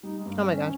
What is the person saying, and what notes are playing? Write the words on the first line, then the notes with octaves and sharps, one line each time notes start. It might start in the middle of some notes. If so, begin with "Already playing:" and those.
Oh my gosh.
G3 D#4
G#3
G2 A#3
C4
C4 C#4